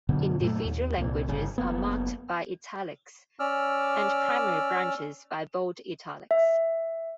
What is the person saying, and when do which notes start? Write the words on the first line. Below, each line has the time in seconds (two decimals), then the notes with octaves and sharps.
Individual languages are marked by "italics", and primary branches by bold italics.
0.09 F#2 B2 D3
0.40 F#2 A#2 A3
0.65 D#2
0.98 C2 A#2
1.28 G1 C#3
1.58 F#1 A#3 B3
3.40 C#4 D5 D6 E6 F6
6.31 E5